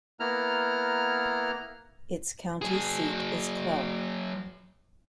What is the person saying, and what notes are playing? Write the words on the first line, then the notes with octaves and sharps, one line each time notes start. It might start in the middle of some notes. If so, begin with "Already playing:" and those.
Its county seat is Clark.
A#3 B3 E4 A#5 F6
F#3 G#4